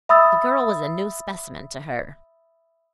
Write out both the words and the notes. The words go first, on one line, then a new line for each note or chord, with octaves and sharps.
The girl was a new specimen to her.
E5 B5 D#6 E6 A6